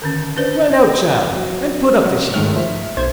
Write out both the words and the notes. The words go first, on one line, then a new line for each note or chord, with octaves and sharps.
Run out, child, and put up the sheep.'
D3 D#3 C#4
C#4 D4 B4 C5 D5
C4
F#3
F#3
G#2 D#3 A3 F6
F3 E5
B1 C5 G#6